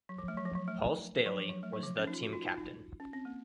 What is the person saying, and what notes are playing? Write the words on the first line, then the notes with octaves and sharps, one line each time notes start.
Paul Staley was the team captain.
F#3
F3
A3
F#3
F3
F#3
A3
F#3
F3
F#3
A3
F#3
F3
C#4
D#4
F4
F#4
F4
D#4
F4
D#4
C#4
C4
A#3